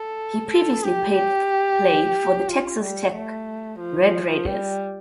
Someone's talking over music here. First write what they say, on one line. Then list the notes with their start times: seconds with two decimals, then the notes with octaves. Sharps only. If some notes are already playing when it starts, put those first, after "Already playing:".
He previously played for the Texas Tech Red Raiders.
Already playing: A4
0.50 A4
0.83 G4
1.15 G4
2.49 F4
2.81 G3
3.14 A3
3.80 F3
4.47 G3